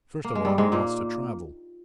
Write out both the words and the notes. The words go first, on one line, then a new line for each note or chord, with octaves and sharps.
First of all he wants to travel.
A#3
G#3
G2 G3
G#2 G#3
A#2 A#3